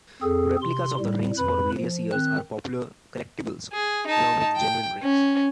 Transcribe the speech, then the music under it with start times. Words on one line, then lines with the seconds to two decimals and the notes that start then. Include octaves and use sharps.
Replicas of the rings for various years are popular collectibles, along with genuine rings.
0.22 F2 C4 G#4 A4
0.62 C3 C6
1.00 A2 G3
1.38 F2 B4 B5
1.78 F3
2.13 D#3 C4 F#6
3.73 G#4
4.07 D#4 A5
4.56 G5
5.01 C#4